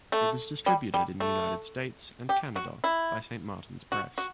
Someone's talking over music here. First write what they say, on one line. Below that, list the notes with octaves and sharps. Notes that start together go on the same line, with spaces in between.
It was distributed in the United States and Canada by Saint Martin's Press.
A3
G3
G3
A3
G4
F#4
E4
F#4
F#4